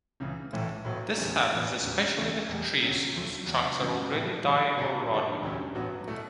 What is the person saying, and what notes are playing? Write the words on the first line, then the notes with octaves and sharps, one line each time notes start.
This happens especially with trees whose trunks are already dying or rotting.
C#2 C#3 E3
B1 A2 E3
B1 A2 F#3 B3
E2 D3 G3 C#4
A1 G2 E3 B3
E1 E2 D3 G3 C#4
D2 C#3 E3
E1 E2 B2 G3
D2 C#3 F#3 C#4
E1 D2 D3 A3
E1 E2 D3 F#3
F#2 C#3 E3 G3
A2 G3 B3 E4 A4
A2 E3 G3 D4
B2 F#3 A3 D4 A4
G2 D3 G3 D4 A4
E2 D3 F#3 C#4 G4
A1 G2 F#3 B3 F#4
B2 A3 E4